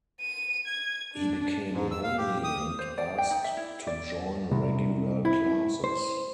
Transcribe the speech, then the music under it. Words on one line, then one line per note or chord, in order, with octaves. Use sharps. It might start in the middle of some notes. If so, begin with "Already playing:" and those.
He became lonely and asked to join regular classes.
D#7
G#6
D4
G#2
E6
F5
G4
D#6
C5
D5
G5
D#4
E5
E4
D5
C2
E4
C5